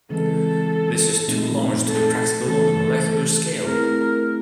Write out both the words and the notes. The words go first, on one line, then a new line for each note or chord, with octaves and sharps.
This is too large to be practical on the molecular scale.
C#3 E3 G#3 C4 A4
A#2 F3 A3 C4 D#4
A4
C#3 E3 A3 C#4 A4
A3 C4 E4 G#4 A#4